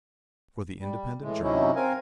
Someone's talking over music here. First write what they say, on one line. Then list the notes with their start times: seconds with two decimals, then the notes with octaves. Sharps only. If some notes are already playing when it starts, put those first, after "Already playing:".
For the Independent Journal.
0.81 G3
1.22 A2 E3 G#3
1.42 C3 F#3 C#4 D#4 E4
1.76 C4 A#4 F5 G#5